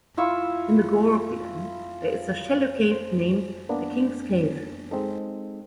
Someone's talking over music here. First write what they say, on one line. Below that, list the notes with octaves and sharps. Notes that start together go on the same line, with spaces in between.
In the Gore Glen there is a shallow cave, named "The King's Cave".
E4 F4 C#6 E6
C5
A#3 B3 D4
G#3 C4 D#4 A4